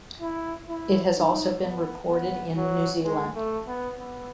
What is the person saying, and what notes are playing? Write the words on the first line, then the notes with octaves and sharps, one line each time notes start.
It has also been reported in New Zealand.
E4
E4
D#4
B3
B3
F#3
G#3
A3
B3
B3